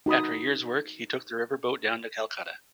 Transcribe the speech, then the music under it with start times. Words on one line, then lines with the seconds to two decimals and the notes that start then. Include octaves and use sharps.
After a year's work, he took the river boat down to Calcutta.
0.06 D#4 F#4 B5 D#6